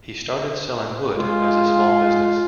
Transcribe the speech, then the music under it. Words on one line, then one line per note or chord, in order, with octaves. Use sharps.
He started selling wood as a small business.
G#3 F4